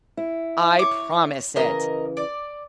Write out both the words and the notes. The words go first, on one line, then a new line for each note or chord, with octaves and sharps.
"I promise it."
E4
C#5 D6
C#3 E3 A#4 D#5
D5